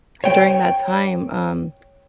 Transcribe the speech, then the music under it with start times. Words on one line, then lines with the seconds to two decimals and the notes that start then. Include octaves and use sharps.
during that time, um,
0.24 C#5 G5